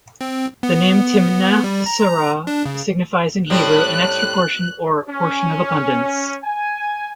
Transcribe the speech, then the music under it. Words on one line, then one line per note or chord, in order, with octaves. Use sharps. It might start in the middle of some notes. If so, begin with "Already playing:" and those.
The name "Timnath-serah" signifies in Hebrew an "extra portion" or "portion of abundance".
C4
B3
G3
A#5
D4
C#3
A2 G3 C4 F#6
C#4
G#5